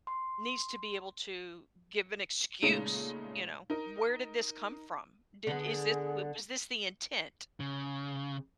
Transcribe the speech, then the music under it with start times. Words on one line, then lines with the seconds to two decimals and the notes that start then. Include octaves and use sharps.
needs to be able to give an excuse, you know? "Where did this come from? Did is this w was this the intent,"
0.07 C6
2.62 A#2 C#3 G#3 A3 D#4
3.70 D#4 A#4
5.47 D3 B3 G#4
7.60 C#3